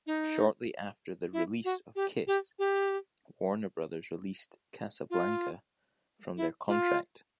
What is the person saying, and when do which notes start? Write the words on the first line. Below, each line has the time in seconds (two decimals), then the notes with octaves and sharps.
Shortly after the release of "Kiss", Warner Brothers released Casablanca from their contract.
0.07 D#4
1.33 E4
1.65 F#4
1.96 G4
2.27 G4
2.59 G4
5.10 F4
6.37 E4
6.68 F4